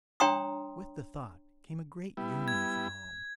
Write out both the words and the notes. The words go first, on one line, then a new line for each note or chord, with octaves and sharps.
With the thought came a great yearning for home.
D4 C#5 G5 A#5 C6 D#6
G3 B3 E4
G#6